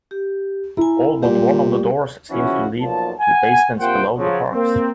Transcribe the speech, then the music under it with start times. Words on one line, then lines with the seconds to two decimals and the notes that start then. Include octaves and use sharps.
All but one of the doors seem to lead to basements below the parks.
0.11 G4
0.77 E4 G#5 A#5
1.23 A#2 G3 G4 D5
2.31 C#3 E3 F3 C#4 E4 F#4
2.81 B1 A#2 F3 A5
3.20 F#5 G#5
3.80 C3 A#3 F4 C5 F#5 G5
4.18 C#3 F3 F#3
4.52 A#3 C4